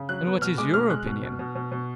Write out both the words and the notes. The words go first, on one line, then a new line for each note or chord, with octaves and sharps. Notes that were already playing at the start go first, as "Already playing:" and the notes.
"And what is your opinion?"
Already playing: C#3
F#3 F#6
B3
B2 F6
G#3 D6
B2 F6
G#3 F#6
B2
B2
B2
B2
B2